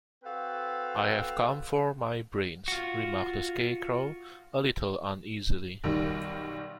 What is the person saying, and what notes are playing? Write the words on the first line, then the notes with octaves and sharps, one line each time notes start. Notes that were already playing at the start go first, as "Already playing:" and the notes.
"I have come for my brains," remarked the Scarecrow, a little uneasily.
C4 F#4 A4 B4 F5
F4 F#4
B1 D#3 G3